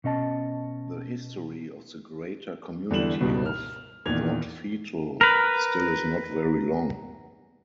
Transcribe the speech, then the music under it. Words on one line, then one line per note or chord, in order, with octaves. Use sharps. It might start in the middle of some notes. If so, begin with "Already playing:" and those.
The history of the greater community of Dautphetal still is not very long.
B2 C#4 D#5 A5
E2 D3 G3 E4 E7 F#7
C#2 G2 B2
F6
E2 A#2 D#3 G#6 F7
A#4 B4